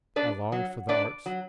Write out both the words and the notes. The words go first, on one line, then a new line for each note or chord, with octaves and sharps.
I longed for the arts.
D4 B4 D5
F#3
D4 B4 D5
F#3